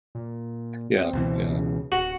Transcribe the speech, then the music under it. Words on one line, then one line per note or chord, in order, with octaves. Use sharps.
Yeah, yeah.
A#2
C4
C#2 B2 E3
C#3
D1 F#4